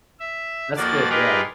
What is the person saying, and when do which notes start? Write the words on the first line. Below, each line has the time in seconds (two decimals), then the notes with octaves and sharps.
That's good, yeah.
0.20 E5
0.76 F2 F3 A#3 F#4 D5 A6
1.09 D#4 F4 G4 G#4 A#4 B4